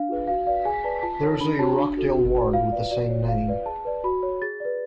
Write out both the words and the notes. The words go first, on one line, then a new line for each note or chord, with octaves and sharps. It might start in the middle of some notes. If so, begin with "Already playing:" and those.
There is a Rochdale Ward with the same name.
Already playing: D4 F5
F4 G#4 B4
F#4 F5
B4 D5 F5
G#4 G#5
B4 D5 A5
F4 A5
A4 C#5
D4 B5
F#4 C#5 A5
D4
F#4 A4
F#4
B4 D5
F4 F5
B4 D5
F#4 D5
C#5
F4 F5
B4 D5
G#4 A5
B4 D5
F#4 B5
C#5
G#4 A6
B4 D5